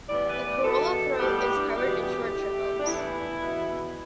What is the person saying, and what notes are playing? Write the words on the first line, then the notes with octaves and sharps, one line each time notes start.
The corolla throat is covered in short trichomes.
A2 E3 G3 B3 D5
B4
D5
E2 B2 B3 A4
A2 G3 B3 G4
G4
D4
E2 B2 G3 B3 G4
G4
A2 A3
D4
A2 E3 B3 E4
E2 B2 B3